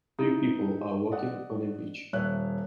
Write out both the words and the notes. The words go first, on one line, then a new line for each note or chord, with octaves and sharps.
Three people are walking on a beach.
D#4 E4
D5 D#5 F#5
D#1 C#5 E5 F#6